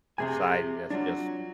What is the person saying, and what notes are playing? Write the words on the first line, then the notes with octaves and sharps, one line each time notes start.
society that's just
C3 C4 G#4 G#5
F#3 D4 F4